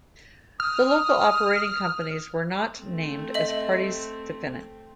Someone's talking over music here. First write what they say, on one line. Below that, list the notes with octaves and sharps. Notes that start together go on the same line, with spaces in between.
The local operating companies were not named as parties defendant.
D#6 F6
A3 C4
D#5 E5 F#7